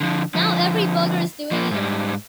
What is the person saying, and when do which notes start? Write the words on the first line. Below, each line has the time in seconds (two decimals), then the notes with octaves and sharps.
Now every bugger's doing it.
0.01 D3 F3
0.35 D3 F3
1.51 F3 A#3
1.71 G#2 G3